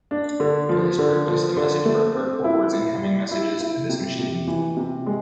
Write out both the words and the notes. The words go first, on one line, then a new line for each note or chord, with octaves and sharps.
For this purpose the Message Broker forwards incoming messages to this machine.
D4
D3
F3
D3
F3
D3
A3
C4
E4
E4
G3
E4
E4
C3
C3
E3
C3
G#3